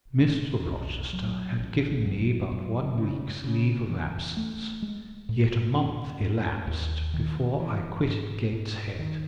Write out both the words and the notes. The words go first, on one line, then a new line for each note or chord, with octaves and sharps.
Mr. Rochester had given me but one week's leave of absence: yet a month elapsed before I quitted Gateshead.
A2
B1
F#3
A1
F#2
F#2
C#3
C#3
E3
A3
G#3
A2
C#4
G#2
D#2
D#3
E3
G#2
G#2
D#3